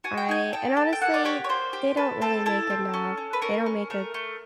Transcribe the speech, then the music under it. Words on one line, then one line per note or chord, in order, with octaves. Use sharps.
I and honestly, they don't really make enough, they don't make a
F#4 G#5
G5
D#4 G#5
A4 G5
A4
G5
A#3 F#5
D5
G4 C#5
C#5
A#3 C5
G4
A4 B4
C4 A4
E4 A4
C4
C#4
C#4
B4
C#4 A#4
C#4
A3 A#4
A3